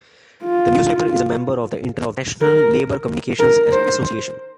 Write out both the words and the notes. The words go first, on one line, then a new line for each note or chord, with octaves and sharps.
The newspaper is a member of the International Labor Communications Association.
F4
A#4
A#4
C5